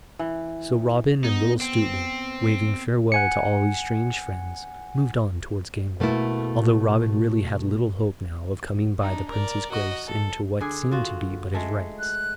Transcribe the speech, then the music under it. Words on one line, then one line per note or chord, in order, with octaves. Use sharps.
So Robin and little Stuteley, waving farewell to all these strange friends, moved on towards Gamewell, although Robin really had little hope now of coming by the Prince's grace into what seemed to be but his rights.
E3
B3 D#4
C4
F#5 G#5 C#7
B2 A3 A#3 E4
D4 D#4
A#4 D5
F#4 D#5
A4
D3 G#4
F4 F#4
G#3 A3
F#6